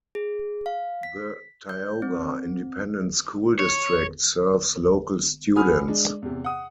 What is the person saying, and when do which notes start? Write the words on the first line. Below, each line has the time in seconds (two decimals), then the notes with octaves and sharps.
The Tioga Independent School District serves local students.
0.15 G#4
0.66 F5
1.03 B6
1.69 G6
2.02 C4
3.59 C#5
5.56 F#4 G#5 B5 D#6 F6
5.88 G#3 D4
6.22 E2 C3
6.44 F#5 D#6